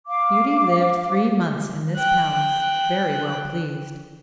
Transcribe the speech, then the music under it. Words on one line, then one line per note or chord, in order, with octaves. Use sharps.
Beauty lived three months in this palace, very well pleased.
F5 D6
G5 F#6